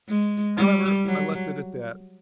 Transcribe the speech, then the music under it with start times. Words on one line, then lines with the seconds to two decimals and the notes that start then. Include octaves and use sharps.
However, I left it at that.
0.09 G#3
0.57 G3
1.05 F#3